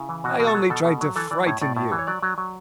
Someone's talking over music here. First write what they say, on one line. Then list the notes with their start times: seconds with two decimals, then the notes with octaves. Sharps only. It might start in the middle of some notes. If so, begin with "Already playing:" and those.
I only tried to frighten you.
Already playing: C#3 E4
0.09 E3
0.24 B2 F#4
0.40 B2
0.47 A4
0.55 F#3
0.70 B2 A4
0.85 B2
1.01 F#3
1.16 E3 A4
1.31 E3 D5
1.46 A2 C#5
1.62 A2 D5
1.76 A2
1.92 E3
1.99 C#5
2.07 F#3 D5
2.22 F#3
2.38 F#3